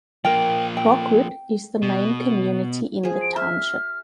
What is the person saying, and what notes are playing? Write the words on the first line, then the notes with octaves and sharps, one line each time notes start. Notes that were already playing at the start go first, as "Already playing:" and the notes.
Rockwood is the main community in the township.
F3 A#3 A#4 G5
G5
B2
F3 G#4
D7
E5 F6